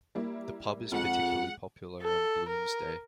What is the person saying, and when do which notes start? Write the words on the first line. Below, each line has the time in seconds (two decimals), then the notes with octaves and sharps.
The pub is particularly popular on Bloomsday.
0.15 G3 A#3 E4
0.92 F2 G#3 F4 F#5
2.02 A4
2.49 A#4